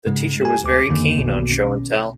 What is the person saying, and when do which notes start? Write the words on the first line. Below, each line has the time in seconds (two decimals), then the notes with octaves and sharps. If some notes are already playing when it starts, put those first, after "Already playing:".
The teacher was very keen on Show and Tell.
0.06 G#2 C#3 G#3
0.41 G4 A4 G#5
0.64 D2 D6
0.89 F2 D3 D#3 A#3
1.17 B1 B2
1.51 C#4